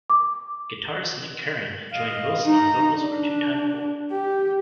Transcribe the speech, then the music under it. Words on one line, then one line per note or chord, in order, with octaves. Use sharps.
Guitarist Nick Curran joined Wilson on vocals for "Two Time Fool".
D6
D#5 F5
D#4 A#5
D4
G4